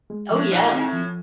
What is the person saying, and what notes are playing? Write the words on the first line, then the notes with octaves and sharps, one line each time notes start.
Oh, yeah.
G#3
A2 F3
A#2 D#4
G#2 C4
A2
F3